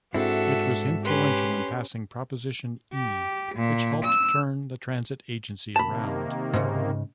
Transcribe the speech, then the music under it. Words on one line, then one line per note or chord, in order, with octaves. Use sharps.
It was influential in passing Proposition E, which helped turn the transit agency around.
G#2 C4 D4 E4 F#4 A4 E5
C#4 G4 B4 C6
G4
A#2
E6
C3 D#3 A#3 A5 B5
G#2 C#3